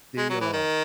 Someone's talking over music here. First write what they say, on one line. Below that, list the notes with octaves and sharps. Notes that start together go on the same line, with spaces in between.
they, uh
G#3
F#3
E3
D#3